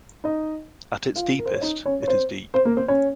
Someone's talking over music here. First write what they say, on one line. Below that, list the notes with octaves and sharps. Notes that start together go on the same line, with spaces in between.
At its deepest, it is deep.
D#4 D#5
F4 F5
A#4
C5
C#5
D#4 D#5
C#4 C#5
C#5
C4 C5
C4 C5
A#3 A#4
C4 C5
C#4 C#5